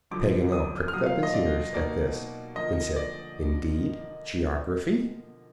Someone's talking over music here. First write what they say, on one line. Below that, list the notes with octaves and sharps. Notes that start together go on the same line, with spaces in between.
Paganel pricked up his ears at this, and said, "Indeed, geography!"
F#2 D3 F3 D6
D#6
F6
B2 F#3 A#3 F4 D#6
F5
D#5
D5
B2 A#3 D#4 D5
D3 F3 A#3 D#5
D5